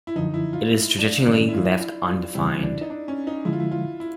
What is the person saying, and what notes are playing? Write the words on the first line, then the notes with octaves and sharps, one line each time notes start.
It is traditionally left undefined.
E4
F#2 D3 F3 D#4
E4
F4
E4
D4
G2 D#3 G#3 C#4 D4
E4
F4
E4
F4
C#2 C#3 E3 G3 C4 E4
D4
D#4
D4
C#4
D#4
D3 F3 G#3 E4
F4
E4
F4
E4